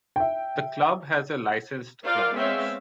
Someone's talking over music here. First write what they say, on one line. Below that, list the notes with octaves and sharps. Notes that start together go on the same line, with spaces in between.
The club has a licensed clubhouse.
E5 G5
F4 A#4 C5 D5 F5
G#3 B3 C4 C#5 E5 F5